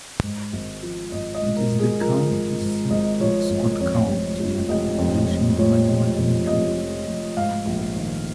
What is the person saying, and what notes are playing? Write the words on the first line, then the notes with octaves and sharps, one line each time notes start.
It is the county seat of Scott County and the population is a minority-majority.
G#2
G#1
F3
G#1 D#5
D#5
G#2
A#4
G#1
G#4
F3 A#4
G#1
G#2
G#1 D#5
F3 C#5
G#1
F2 C#5
F1
F3
F1 D#5
F2
F1
F3 C#5
F1
F2
F1 D#5
F3
F1
G#2 F5
A#1
D#3